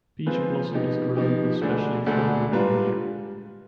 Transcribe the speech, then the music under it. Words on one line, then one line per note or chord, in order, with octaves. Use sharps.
Peach blossom is grown especially for the Lunar New Year.
F3 G#3 C4 F4 B4
F3 B3 D#4 G4
F3 B3 D#4 G4
D2 D3 G#3 D4
D2 D3 G#3 D4
G#2 G3 D4 F4 B4